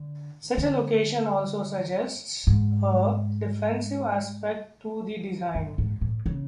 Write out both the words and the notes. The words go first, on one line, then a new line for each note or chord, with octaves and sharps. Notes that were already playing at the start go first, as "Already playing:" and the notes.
Such a location also suggests a defensive aspect to the design.
Already playing: D3
D3
G#2
F#2
G#2
A2
C#3